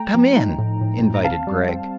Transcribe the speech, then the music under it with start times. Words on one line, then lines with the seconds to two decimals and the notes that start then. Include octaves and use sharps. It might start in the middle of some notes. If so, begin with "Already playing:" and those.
"Come in," invited Gregg.
Already playing: A3 G5 A#5
0.14 F3
0.37 D#4
0.58 A2
0.81 A2
1.03 A2
1.14 A#5
1.24 C4 F5 A5
1.47 G3
1.69 C4